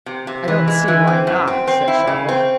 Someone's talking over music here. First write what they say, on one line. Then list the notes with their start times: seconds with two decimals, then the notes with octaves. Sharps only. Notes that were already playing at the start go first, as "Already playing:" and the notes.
"I don't see why not," said Charlotte.
0.06 C3
0.27 C3
0.48 E3
0.68 G#3
0.88 E3
1.07 C4
1.27 F#2
1.47 C4
1.67 C4
1.88 E4
2.07 C#3
2.29 C4